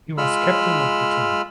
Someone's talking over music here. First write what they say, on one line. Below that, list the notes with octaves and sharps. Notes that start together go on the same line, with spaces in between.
He was captain of the team.
G#3 F4 B5 E6 F6